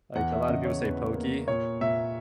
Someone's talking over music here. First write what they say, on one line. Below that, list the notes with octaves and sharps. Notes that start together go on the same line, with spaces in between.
Like, a lot of people say pokey,
E2 F#5
E5
C#3 D#5
C#5
E2 B4
A#3
A#2 C#5
A#2 E5